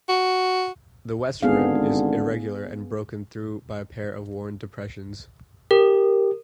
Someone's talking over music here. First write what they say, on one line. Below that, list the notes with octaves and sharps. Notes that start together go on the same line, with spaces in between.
The west rim is irregular and broken through by a pair of worn depressions.
F#4
G#1 D3 B3 G#4 F5
G4 A#4